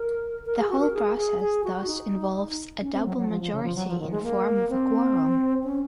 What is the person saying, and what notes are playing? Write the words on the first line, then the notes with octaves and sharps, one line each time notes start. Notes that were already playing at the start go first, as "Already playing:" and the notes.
The whole process thus involves a double majority in form of a quorum.
Already playing: A#4
A#4
G#4
F#4
A#4
G#4
G#4
G#4
F#4
D#4
C#4
C4
F#3
F#3
F3
F3
C#3
F3
F#3
F3
D#3
G#3
A#3
C4
C#4